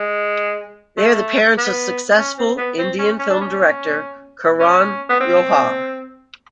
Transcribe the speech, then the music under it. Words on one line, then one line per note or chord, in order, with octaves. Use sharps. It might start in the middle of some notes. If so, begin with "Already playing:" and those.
They are the parents of successful Indian film director Karan Johar.
Already playing: G#3
A3
B3
C#4
C4
B3
C4
C#4
C#4
D4
C#4
C#4
B3
C4